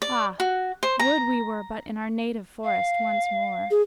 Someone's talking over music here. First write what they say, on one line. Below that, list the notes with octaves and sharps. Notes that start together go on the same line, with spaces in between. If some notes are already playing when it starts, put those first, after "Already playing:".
Ah, would we were but in our native forest once more!'
D5
F#4
C5
A#5
F5
G#4